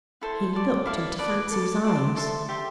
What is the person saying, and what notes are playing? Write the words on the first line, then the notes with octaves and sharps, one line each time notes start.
He looked into Fancy's eyes.
E4 A4 C5
D5 A5 C6
E4 A4 D5 F5
B4 D5 A5
A4 D5 A5 D6
D5 A5 C6
A4 C5 E5 A5
G4 C5 E5